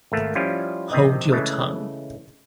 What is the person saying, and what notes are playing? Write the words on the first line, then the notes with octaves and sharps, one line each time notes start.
Hold your tongue.
G#1 A3 A#3
F3 G3 C#4 E4 F4
A#1 C3 C4 D#5
C#3 E3 G#3 A3